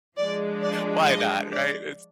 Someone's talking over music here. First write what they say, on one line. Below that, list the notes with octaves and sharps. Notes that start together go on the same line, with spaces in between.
why not, right? It's
F3 G#3 D4 D5
D5
D#5
D5